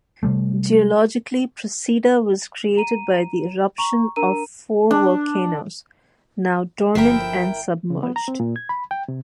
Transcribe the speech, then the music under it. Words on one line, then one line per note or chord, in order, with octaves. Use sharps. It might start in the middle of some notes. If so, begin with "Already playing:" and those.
Geologically, Procida was created by the eruption of four volcanoes, now dormant and submerged.
C3 G3 A3
A#5 D#7
A#5 C#6
D4 A#4 A#5 D#7
D4
G1 F3 E4 A4 A#4 G5 B6 C7
C#3
B3
A#5
C4
A#2
G#6
B5
G5
C3